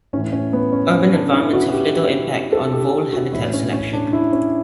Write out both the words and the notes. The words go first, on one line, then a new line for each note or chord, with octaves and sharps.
Urban environments have little impact on vole habitat selection.
A2 E3 C#4
C#4
B3
C#4
C#4
D4
E4
F#4
G4
A4
G4
F#4
A2 E3 E4
C#4
C#4
D4
E4
C#4